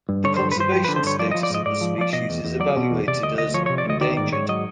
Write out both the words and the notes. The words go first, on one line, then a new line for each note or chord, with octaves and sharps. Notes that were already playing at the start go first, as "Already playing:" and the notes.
The conservation status of the species is evaluated as endangered.
G2
D3 C#5
G2 C5
B4
G2 C5
F3 G4
D3 B4
C5
G2 C#5
F3 D5
F3 D#5
D5
G#2 D#5
G#2 D5
F3
F3 D5
B2 D#5
E2
E2
F#3 D5
B2
E2
C3 D5
D2 D#5
D2 D#5
F3 C#5
C3 C#5
D5
D2 D#5
D#3 D5
G#2 D5
G#2 C#5
F#3 D#5